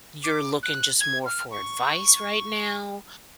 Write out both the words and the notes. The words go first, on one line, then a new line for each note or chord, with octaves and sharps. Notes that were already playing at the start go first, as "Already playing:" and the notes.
you're looking just more for advice right now,
D6
F#6
G#6
F6
C#6